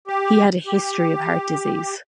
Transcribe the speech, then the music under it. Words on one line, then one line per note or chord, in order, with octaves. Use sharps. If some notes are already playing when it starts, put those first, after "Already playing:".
He had a history of heart disease.
G4
G4